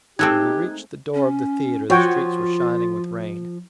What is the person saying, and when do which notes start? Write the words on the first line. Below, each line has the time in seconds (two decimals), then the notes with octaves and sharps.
When we reached the door of the theater, the streets were shining with rain.
0.19 G#3 A3 C4 D#4 G4 F#6 G#6
1.14 C#4
1.90 F3 F4 F#4 C#5 G5